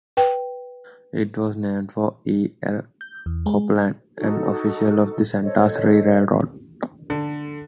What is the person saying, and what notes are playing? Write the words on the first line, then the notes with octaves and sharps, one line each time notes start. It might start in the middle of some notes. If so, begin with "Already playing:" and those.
It was named for E. L. Copeland, an official of the Santa Fe Railroad.
B4 G5
G6
E2
G#3
D#4 F#4 A4
A4 C5 C#5 D#5
D3